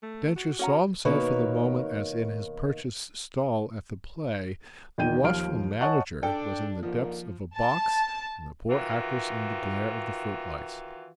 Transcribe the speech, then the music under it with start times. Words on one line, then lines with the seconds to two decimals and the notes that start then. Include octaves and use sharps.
Densher saw himself for the moment as in his purchased stall at the play; the watchful manager was in the depths of a box and the poor actress in the glare of the footlights.
0.03 A3
0.36 F#4
0.59 C#4 F#4 F#5 A#5
1.05 B2 D#3 A#3 A#4 B4 C#5
4.98 E2 D#3 G5 G6 D#7
5.24 D#2 F3 F5 F6 D7
5.81 C#5 D#5 F#5 G#5 A5 C#6
6.23 D4 A4 G5
6.83 D3 D#3 F3 A#3
7.54 A5
8.69 D#3 E3 F4 F#4